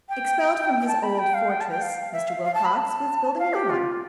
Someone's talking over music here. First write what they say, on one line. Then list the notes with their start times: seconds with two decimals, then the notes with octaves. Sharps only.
Expelled from his old fortress, Mr. Wilcox was building a new one.
0.09 G5
0.80 G5
0.88 A5
1.03 B5
1.19 G5
1.34 F5
1.50 G5
1.61 A5
1.71 G5
1.82 F5
2.12 E5
2.29 F5
2.44 F5
2.54 A5
2.65 B5
2.76 A5
3.39 F5
3.54 G4
3.70 F4